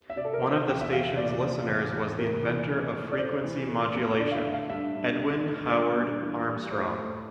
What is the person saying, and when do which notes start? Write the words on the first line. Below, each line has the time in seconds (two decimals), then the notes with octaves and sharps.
One of the station's listeners was the inventor of frequency modulation, Edwin Howard Armstrong.
0.10 E5
0.16 C3 D5
0.24 A4
0.33 A#4
0.42 F3
0.51 C5
0.67 E2 G5
0.81 E5
0.93 E2 F5
1.17 C3 D5
1.42 F3
1.68 E2
1.93 E2
2.18 C3 A#4
2.43 E3
2.69 A3
2.93 F2
3.11 D5
3.18 C3 C5
3.44 E3
3.69 A3
3.95 F2
4.19 D3 D5
4.31 F5
4.36 E5
4.45 A3
4.53 F5
4.69 G2 E5
4.95 G2
5.20 D3
5.46 A3
5.71 G2 D5
5.96 G2
6.21 E3
6.46 G3
6.71 A2 C5
6.97 A2